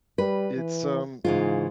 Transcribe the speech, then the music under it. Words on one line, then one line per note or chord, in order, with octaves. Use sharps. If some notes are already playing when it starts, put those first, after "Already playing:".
it's, um,
G3 B4
E3
G#2 C#3 E3 F4